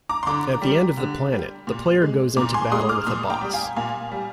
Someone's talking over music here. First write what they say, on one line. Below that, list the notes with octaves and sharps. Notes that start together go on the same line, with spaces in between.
At the end of the planet, the player goes into battle with a boss.
A#5 D6
C6
D3 A#5 D6
G3
D3
G3
A#2
G#3
A#2 A#5 D6
G#5 C6
G#3 C6 D#6
D6 F6
A#2 C6 D#6
G5 A#5
G3
F5 G#5
A#2 F5 G#5
G3